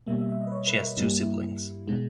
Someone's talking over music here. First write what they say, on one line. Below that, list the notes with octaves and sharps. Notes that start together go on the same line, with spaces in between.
She has two siblings.
B2 G3 A#3 E5
E5
E5
D#5
B4
C#5
B4
A#4
G2 G3 A#3 D#4
E4
B2 G#3 D#4